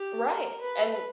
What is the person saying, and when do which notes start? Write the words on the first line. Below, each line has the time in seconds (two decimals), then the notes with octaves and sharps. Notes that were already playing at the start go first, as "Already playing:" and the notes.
Right, and
Already playing: G4
0.27 A#4
0.61 B4